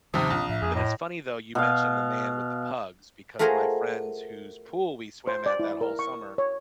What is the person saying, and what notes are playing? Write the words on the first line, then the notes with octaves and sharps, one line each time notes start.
I mean, it's funny, though, you mentioned the man with the pugs because my friends whose pool we swam at that whole summer,
D#2 C3 F3 C4 C#4 D#6
A#1
A2 E5
F2 G#4
A2 D#5
B2 F5
A3 F4 F#4 G#4 A#4 C5
C5
D5
E4
A#4
C#6
C#5